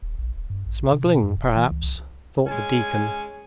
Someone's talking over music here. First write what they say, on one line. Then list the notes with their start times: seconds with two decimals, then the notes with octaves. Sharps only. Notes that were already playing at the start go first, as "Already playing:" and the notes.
"Smuggling, perhaps," thought the deacon.
0.02 D#1
0.18 A#1
0.36 D#1
0.50 G2
0.66 A1
0.93 C3
1.05 B2
1.23 F#2
1.37 D1
1.56 E3
1.71 C#2
1.83 C2
2.47 G#3 C#4 G#5